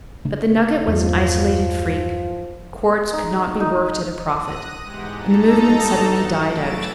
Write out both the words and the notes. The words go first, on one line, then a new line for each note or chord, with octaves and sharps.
But the nugget was an isolated freak; the quartz could not be worked at a profit; and the movement suddenly died out.
C#3 A3 D4
E2 G2 F3
D#4
D#4
D#6 F#6 A#6 D#7
E2 G#2 G#3 G4 F#5
G2 D#4 A4 A5 A#5
F#5
E3 F#3 A3 A6 D7 E7